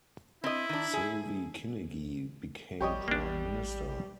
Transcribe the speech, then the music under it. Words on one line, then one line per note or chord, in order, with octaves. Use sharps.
Sylvie Kinigi became Prime Minister.
C4 E4 D#5
D#3 D4
G#4
A#1 G3 G4 C#5 D#5
A1 A#3 D4